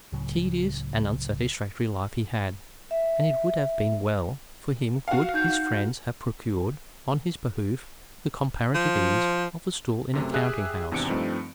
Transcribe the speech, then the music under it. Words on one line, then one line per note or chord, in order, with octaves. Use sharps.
A tedious and unsatisfactory life he had, and it would have been well for him could his friends have procured on his behoof the comparative ease of a stool in a counting-house.
C#2 A2 C#3 F#3
E5
F#4 F5
D#4 G6
F3
F#2 C3 A3
G4 G#4 E5 F#6
G#1 E2 C3 D4 C#7 D7
G2 F3 A3 C4 D#4